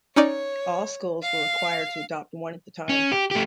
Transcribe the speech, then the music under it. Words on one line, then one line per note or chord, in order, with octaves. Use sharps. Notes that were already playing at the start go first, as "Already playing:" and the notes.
All schools were required to adopt one at the time.
C#4 D#4 C#5 D5
F5
C#4
G4
A3 G4